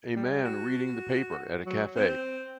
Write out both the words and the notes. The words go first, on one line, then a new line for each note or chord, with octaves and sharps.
A man reading the paper at a cafe.
G3
F#4
F#3
C4